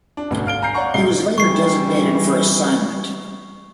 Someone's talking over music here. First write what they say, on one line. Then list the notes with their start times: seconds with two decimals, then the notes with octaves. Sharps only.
He was later designated for assignment.
0.17 D4
0.31 G#1 D2 B2 D3
0.46 F5 F6 D7 G7
0.62 G#5 A#5 F6 G6 C7
0.74 C#5 D5 F5 F#5 A#5 C#6
0.94 A#1 G#3 C7 G7
1.38 E3 G3 C#6 C7